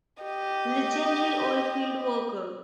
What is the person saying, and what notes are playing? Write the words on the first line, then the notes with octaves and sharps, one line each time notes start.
Legendary Oilfield Worker.
G4 D#5